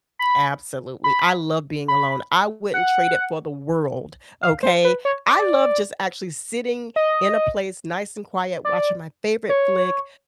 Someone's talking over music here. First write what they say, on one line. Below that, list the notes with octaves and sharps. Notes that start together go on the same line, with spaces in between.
Absolutely. I love being alone. I wouldn't trade it for the world, okay? I love just actually sitting in a place nice and quiet, watching my favorite flick,
B5
B5
B5
F#5
F5
C5
B4
C#5
D5
D#5
D5
C#5